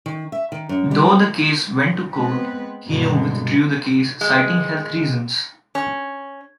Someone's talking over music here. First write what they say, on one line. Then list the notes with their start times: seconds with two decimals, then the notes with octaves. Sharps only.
Though the case went to court, Kenu withdrew the case citing health reasons.
0.06 D#3
0.32 E5
0.52 D#3
0.69 F#2
0.91 G3
2.15 G#3 B3 C4 B4
2.89 G2 B2 D3 D#3 F#3 G#3
4.21 G#3
5.75 C#4